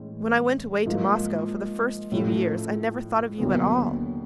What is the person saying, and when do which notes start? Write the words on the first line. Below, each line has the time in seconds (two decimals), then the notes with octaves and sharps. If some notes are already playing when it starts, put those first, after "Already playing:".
When I went away to Moscow for the first few years I never thought of you at all.
Already playing: A2 E3 G#3 C#4
0.86 G#2 F3 A#3
2.12 A2 F3 A3 C#4 E4
3.38 D#2 D3 F#3 B3